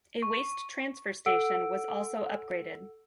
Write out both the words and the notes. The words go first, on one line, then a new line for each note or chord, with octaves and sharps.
A waste transfer station was also upgraded.
C#6
A4 F#5 E6 D7